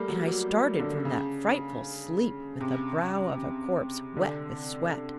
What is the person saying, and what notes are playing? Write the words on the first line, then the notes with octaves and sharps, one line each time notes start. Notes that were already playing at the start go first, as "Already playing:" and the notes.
And I started from that frightful sleep with the brow of a corpse, wet with sweat....
Already playing: G3 A3 A#3
F#3
F#3
D3
C#3
C3
D3